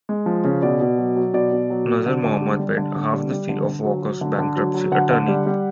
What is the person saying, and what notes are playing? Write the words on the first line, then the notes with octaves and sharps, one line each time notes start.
Nazr Mohammed paid half the fee of Walker's bankruptcy attorney.
G#3
F3
C#3
B2 D5
B2
F#3
F#3
B2 D5
B2
F#3
F#3
D3
D3
G3
G3
D3
D3
G3
G3
D3
D3
F#3
F#3
D3
D3
F#3
F#3
D3 F#5
D3
G3
G3